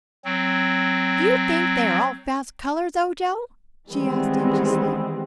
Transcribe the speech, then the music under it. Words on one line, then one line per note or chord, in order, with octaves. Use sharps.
"Do you think they are all fast colors, Ojo?" she asked anxiously.
F#3 C4
D#3 E3 G3 G#3 B3 C4